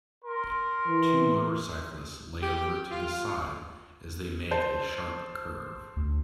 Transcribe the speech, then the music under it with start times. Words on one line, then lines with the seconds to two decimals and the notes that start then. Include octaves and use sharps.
Two motorcyclists lay over to the side as they make a sharp curve.
0.25 A#4 C6
0.87 E3
2.42 G4
2.91 F4
4.51 C5 A5 G6
5.97 D2